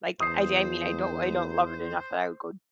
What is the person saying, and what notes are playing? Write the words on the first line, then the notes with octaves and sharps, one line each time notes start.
like, I I mean, I don't I don't love it enough that I would go
E2 C5 D#6 C7